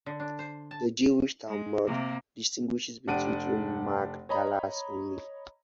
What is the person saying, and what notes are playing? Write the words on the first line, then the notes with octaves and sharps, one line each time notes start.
The Jewish "Talmud" distinguishes between two Magdalas only.
D3
D4
C5
A5
G#3
C3 A#3
F1 D4 G4 F#5 D7 D#7
C#5 D#5 A#5 B5